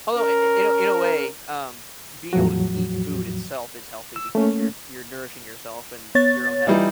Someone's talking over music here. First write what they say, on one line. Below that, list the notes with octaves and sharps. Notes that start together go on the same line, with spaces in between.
Although, i i in a in a way, um, being able to s eat food itself is healthy because you're you're nourishing yourself and your own health.
C#4 A#4
E2 A2 F3 F#3 F#4
E6
A3 A#3 C#4
B3 C#5 A6
E3 G3 D#4 F4 D5